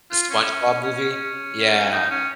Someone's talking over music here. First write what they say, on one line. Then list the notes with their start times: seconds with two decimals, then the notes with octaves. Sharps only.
The SpongeBob movie? Yeah.
0.11 F4
0.30 C#4
0.84 C#4
1.11 C#4
1.92 D#4
2.11 C#4